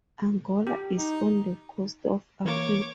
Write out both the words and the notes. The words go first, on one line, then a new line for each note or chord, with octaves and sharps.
Angola is on the coast of Africa.
G4
D#4
E3 A#3 C#5 D6